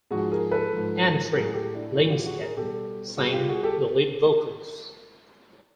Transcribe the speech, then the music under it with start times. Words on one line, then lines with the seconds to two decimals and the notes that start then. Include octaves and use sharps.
Anni-Frid Lyngstad sang the lead vocals.
0.11 G#2 F3 F#4 G#4
0.32 G#4 A#4
0.51 A4 B4
0.73 G#2 F3
1.33 A2 F#3 G#4 A#4
1.54 G4 A4
1.74 D4 E4
1.95 A2 F#3 E4 F#4
2.10 F4 G4
2.26 F#4 G#4
2.41 G#4 A#4
2.56 B2 G3 G4 A4
3.17 B2 G3 F#4 G#4
3.33 F4 G4
3.49 F#4 G#4
3.63 G4 A4